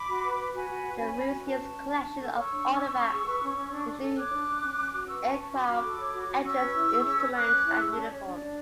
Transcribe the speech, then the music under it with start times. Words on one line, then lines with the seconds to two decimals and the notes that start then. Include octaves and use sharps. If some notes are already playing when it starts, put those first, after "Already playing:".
The museum's collection of artefacts includes aircraft, engines, instruments and uniforms.
Already playing: B5 D6
0.09 F#4
0.24 B4
0.39 B4
0.54 F#4 G#5 B5
0.69 F#4
0.85 B4
1.00 C#4
1.15 C#4
1.30 F#4
1.45 B4 A5 C#6
1.60 C#4
1.75 C#4
1.90 D4
2.05 D4
2.20 A4
2.35 C#5 C#6 E6
2.51 D4
2.66 D4
2.81 C#4
2.96 C#4
3.11 G#4
3.26 B4
3.41 C#4
3.56 C#4
3.72 D4
3.87 D4
4.02 A4
4.17 C#5 D6 F#6
4.32 D4
4.47 D4
4.62 C#4
4.77 C#4
4.92 F#4
5.07 B4 C#6 E6
5.22 C#4 A5 C#6
5.38 C#4 A5 C#6
5.52 F#4 B5 D6
5.68 F#4
5.83 A4
5.99 C#5
6.13 F#4
6.28 F#4
6.43 C#4 C#6 E6
6.59 B4
6.73 E4
6.89 G#4
7.04 C#4
7.19 B4
7.34 C#4 D6 F#6
7.49 C#4
7.64 E4
7.79 G#4 C#6 E6
7.91 C#4 A5 C#6
8.02 D5
8.10 C#4 C#5
8.25 D4 D5
8.40 D4